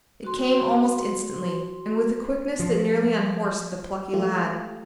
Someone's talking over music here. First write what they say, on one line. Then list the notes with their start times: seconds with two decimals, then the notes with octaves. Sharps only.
It came almost instantly, and with a quickness that nearly unhorsed the plucky lad.
0.24 F#4 C6
2.60 F3
4.13 F3 G#3 A3 F4 G4